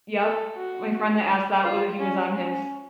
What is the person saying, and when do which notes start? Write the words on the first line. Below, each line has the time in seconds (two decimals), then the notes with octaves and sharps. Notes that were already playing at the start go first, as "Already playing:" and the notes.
Yep. My friend that asked that, whether he was on his
0.21 A4
0.56 F#4
1.64 F4
1.99 C#4
2.35 C#4